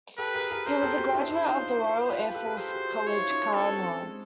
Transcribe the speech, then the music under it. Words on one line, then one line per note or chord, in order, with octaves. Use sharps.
He was a graduate of the Royal Air Force College Cranwell.
G4 A4 B4
G#4 A#4
G#4 A#4
G#4 A#4 C5
G4 A4
F#4 G#4
D4 E4 C5
D4 E4
D#4 F4
F4 G4 B4
F4 G4
G4 A4
G#4 A#4
G4 A4 C5
F#4 G#4
E4 F#4 C#5
D#4 F4
C#4 D#4
C4 D4 A4
C4 D4
G#3